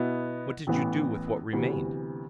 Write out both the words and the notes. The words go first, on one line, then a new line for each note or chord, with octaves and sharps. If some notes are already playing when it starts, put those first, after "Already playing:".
"What did you do with what remained?"
Already playing: B2 B3 E4
A1 A2 E3 B3
D2 C3 E3 B3